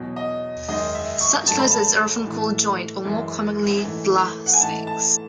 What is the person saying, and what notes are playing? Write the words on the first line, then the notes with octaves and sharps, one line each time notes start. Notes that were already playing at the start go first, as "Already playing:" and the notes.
Such lizards are often called joint, or, more commonly, glass snakes.
Already playing: E2 B2 F#3
D#5
F#2 D#3 G#3 D#5
E5
C#6
G#2 D#3 F#3 A3 A5
B5
A5
A2 E3 A3
F#2 E3 G#3
G#2 E3 A3
F#5
G#5
G#2 E3 A3 A5
A5